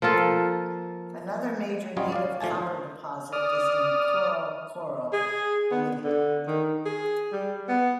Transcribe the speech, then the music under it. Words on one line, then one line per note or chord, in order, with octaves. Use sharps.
Another major native copper deposit is in Coro Coro, Bolivia.
F3 A#3 F4 A4
F#3 G3 C#4 F4 C#5 D#5
D5 F5
F3 A3 G#5 A5
C5
D5 D#6 F6
G#4
B3
D3
D#3
G#4
G3
B3